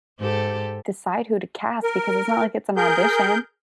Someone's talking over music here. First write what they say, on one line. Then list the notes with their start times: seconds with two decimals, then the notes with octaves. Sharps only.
decide who to cast? Because it's not like it's an audition.
0.19 G#2 G4 A4
1.83 A#4
2.77 G#4 A#4 G6